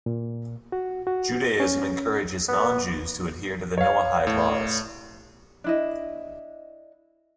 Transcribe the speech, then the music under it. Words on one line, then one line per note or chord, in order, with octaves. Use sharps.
Judaism encourages non-Jews to adhere to the Noahide Laws.
A#2
F#4
F#4
C#4
B3
C#5 F5
A2
D4 E4 D#5